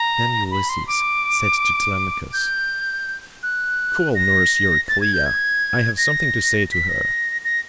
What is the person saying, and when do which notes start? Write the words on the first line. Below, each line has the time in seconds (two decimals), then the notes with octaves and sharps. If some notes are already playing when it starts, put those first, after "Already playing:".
Then Ulysses said to Telemachus, "Call nurse Euryclea; I have something to say to her."
Already playing: A#5
0.51 B5
0.69 C6
0.87 D6
2.33 G6
3.43 F#6
4.15 A#6
4.89 A6
5.01 G#6
5.13 G6
5.25 G#6
5.98 A#6
6.72 B6
6.89 A#6
7.44 A#6